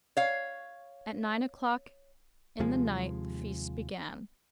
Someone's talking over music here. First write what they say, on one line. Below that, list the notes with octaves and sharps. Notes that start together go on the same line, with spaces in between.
At nine o'clock in the night the feast began.
C#5 F5
D#2 C3 F3 G#3